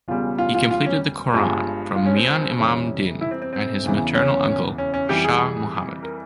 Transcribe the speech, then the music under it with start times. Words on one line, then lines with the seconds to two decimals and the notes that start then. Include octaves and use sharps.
He completed the Quran from Mian Imam Din and his maternal uncle Shah Muhammad.
0.08 E1 E2 C#3 G3 F4
0.38 F4
0.55 F4
0.71 F4
0.86 C#4
1.34 G1 G2 F3 G#3
1.96 F4
2.06 C#4
2.17 C4
2.28 C4
2.58 F2 C3 E3 G3 C#4
3.21 E4
3.31 C4
3.42 C4
3.53 C4
3.83 E1 E2 C#3 E3
4.15 C#4
4.78 C#4
4.94 C#4
5.09 F2 E3 G3 G4
5.24 G#4
6.03 A#4